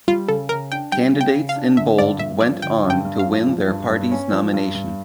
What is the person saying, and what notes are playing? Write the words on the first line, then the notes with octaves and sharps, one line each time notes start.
Candidates in bold went on to win their party's nomination.
G3 F4
C#3 A4
C#3 A#4
D4 G5
G3 G5
C#3
G5
C#3
F5
D4
D3 E5
G2 D5
G2 E5
F3 D5
D3 G5
G2
G5
G2
F5
F3
F3
G2
G2
C#4
F3
G2
G2